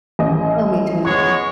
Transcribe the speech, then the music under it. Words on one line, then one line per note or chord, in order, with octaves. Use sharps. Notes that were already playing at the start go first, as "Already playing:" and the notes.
Oh, me too.
A1 D#5
G#3 B3 C#5 C#6